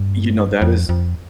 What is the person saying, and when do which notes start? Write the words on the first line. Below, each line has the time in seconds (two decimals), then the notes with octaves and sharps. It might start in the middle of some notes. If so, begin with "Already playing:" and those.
you know, that is
Already playing: G2
0.62 F2
0.89 F2